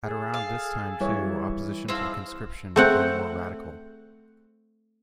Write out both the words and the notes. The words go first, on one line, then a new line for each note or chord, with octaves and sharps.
At around this time, too, opposition to conscription became more radical.
G#4 A4
F5
E3 G3 C#5
G#2 F3 C4 E4 F5
A3 C4 F#5